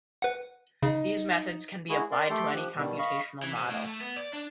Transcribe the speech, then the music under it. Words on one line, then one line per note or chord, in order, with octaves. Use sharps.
These methods can be applied to any computational model.
B4 F#5
C#3 D#4
G#3 E4 F#4 G#4
A#4 D5 C6
A3 G4 A4 G5 C6
F3 G4 F#6
B2 D#3 G3
D#5 F5 B5 C#6
E3
C3
A2
A3
B3
D5
D4